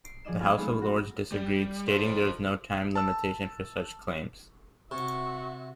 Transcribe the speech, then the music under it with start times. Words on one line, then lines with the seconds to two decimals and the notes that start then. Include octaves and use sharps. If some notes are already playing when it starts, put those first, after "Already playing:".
The House of Lords disagreed, stating there was no time limitation for such claims.
0.05 C7 D7
0.25 F3 G#4 D5 D#5 E7
0.40 A3 B3 C#4 F4 E5 G#5
0.58 G#3 A3 B3 D#4
0.82 F#4
1.32 G3
1.88 A4 C5
2.95 A5 E6
4.91 C3 F#4 E5 C#6